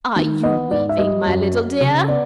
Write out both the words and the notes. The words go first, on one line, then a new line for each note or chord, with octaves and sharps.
'Are you weaving, my little dear?'
D#3
B3 D#5
G#2 D5
E5
G3 D#5
F#2
F#3
C#3
B3 D5